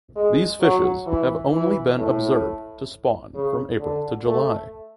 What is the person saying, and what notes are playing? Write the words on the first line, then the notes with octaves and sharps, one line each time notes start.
These fishes have only been observed to spawn from April to July.
G#3
F#3
E3
E3
A2
C#3
D3
A3